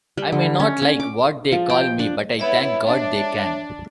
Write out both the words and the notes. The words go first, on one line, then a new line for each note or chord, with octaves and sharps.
I may not like what they call me, but I thank God they can.
G3
D3
C#4
C#4
D6
F3
G5
D4
B3 E4 C#5 E5
D4